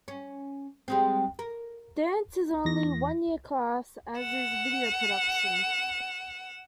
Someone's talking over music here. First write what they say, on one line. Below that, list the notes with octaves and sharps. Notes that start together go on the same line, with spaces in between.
Dance is only a one-year class, as is Video Production.
C#4
G3 G#3 C4
A#4
E2 A#6
F#5 E7